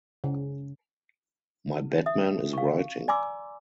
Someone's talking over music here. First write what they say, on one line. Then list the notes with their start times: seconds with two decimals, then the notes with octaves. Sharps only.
My Batman is writing.
0.24 C#3
2.06 E5 D#6
2.53 F5 C#6
3.08 D5 G#5 A#5 C6 D6 E6